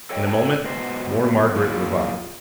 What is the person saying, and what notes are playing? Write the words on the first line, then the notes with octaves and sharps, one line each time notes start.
In a moment more Margaret revived.
A4 C#5 D#5 G5
A4 A#4 C#5 G5 A5
G#2 B2 F#4 C5
F#3 A#3 E4 F4 G#4 A#4